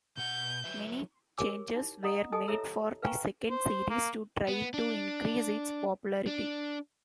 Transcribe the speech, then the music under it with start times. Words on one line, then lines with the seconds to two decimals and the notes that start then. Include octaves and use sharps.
Many changes were made for the second series to try to increase its popularity.
0.17 B2 F#5 G6
0.64 F#3 B4 E5
1.38 G4 A#4 C#5 G#5 D6 E6
1.75 D#4 E4
2.03 D#5 F#5 A#5 D#6
2.32 G4 A4 D#5 G#5 A5 D#6
2.48 E4 A4 C#5 E5 A#5 E6
3.02 B4 F5 G5 G#5 A#5 C#6
3.50 C5
3.90 A#3
4.48 B3
4.74 D4
6.27 D4